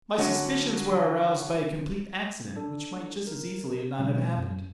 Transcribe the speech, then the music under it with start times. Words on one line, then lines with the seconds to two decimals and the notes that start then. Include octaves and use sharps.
My suspicions were aroused by a complete accident, which might just as easily not have happened.
0.18 D3 F#3 C#4 F#5
2.56 D4 A4
3.27 A#4
3.99 B2 F#3 G#3 C4
4.37 F#2